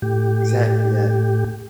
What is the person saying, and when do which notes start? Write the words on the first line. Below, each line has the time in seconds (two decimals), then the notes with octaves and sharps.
Exactly, yeah.
0.02 A2 G4